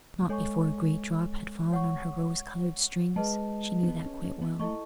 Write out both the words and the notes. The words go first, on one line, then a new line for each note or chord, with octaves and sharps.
Not before a great drop had fallen on her rose-coloured strings--she knew that quite well.
A3
G#3 A4 C#5 G#5 C#6
C#5 F#5 C#6
G#3 G#4 B4 D#5 A5
C#4
B3
C#4
C#4
B3
A3 E4 A4 D#5 A5 C#6